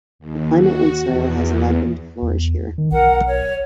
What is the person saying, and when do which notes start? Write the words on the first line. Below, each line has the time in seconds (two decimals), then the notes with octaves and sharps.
The climate and soil has allowed them to flourish here.
0.19 D#2
0.57 F#4
1.02 E2
2.22 E2
2.78 D#3
2.92 B1 A#4 F#5
3.27 C#5